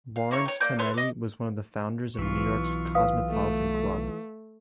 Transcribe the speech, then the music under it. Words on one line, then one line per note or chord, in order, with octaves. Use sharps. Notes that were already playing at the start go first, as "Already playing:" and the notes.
Lawrence Tonetti was one of the founders of New York's Cosmopolitan Club.
F5
A#3 E4 C#5 C#6
C#5 G5
A#3 D5 G6
B4 C#5 E5 C6
D#5 D6
B1 E3 F4 C#6
B4 F5 D#6
A3